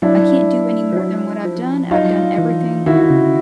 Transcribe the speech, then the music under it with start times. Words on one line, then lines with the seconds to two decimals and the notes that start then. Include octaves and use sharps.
I can't do any more than what I've done. I've done everything,
0.02 F#3 D4 E4
0.93 F3
0.97 F#3
1.45 F3
1.91 F#3 D#4 F4
2.38 E3
2.86 D#3 E4 F#4
3.10 C#3